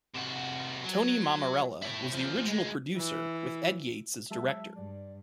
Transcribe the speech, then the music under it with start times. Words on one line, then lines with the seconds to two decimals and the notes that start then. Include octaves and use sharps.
Tony Mammarella was the original producer with Ed Yates as director.
0.14 C3 F#4
0.84 F#3
1.82 E4 C#5
2.12 E2 F3
2.47 D2 G#3
2.97 E3
4.31 F#3 G#3 E5 A5
4.76 G2 D5